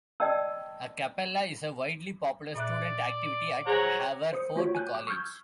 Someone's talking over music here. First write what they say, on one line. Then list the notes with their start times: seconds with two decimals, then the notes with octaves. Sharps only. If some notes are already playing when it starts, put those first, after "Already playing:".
A cappella is a widely popular student activity at Haverford College.
0.20 D5 D#5 G5 A5 E6
2.56 A#2 D5 E5 F#6
3.67 G#4 C5 C#5 F#5 G#5 A#5
4.33 C5 D#6 C#7
4.56 A3 F4 F#4 C#5
4.75 G#5 F#6 G6
4.95 D6
5.07 C#6 E6 F6 G6 G#6